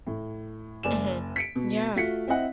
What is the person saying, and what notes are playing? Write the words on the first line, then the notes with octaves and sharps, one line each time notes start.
Mhm. Yeah.
A2
F#1 D5 G#5 E7
B6 C#7 D7
B2
A3 F4 F#4 B6 C#7
C4 E4 D#5 F#5